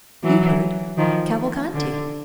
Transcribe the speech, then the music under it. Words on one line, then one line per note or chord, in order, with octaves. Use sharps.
"You heard--Cavalcanti."
E3 F#3
D#3 F3
D3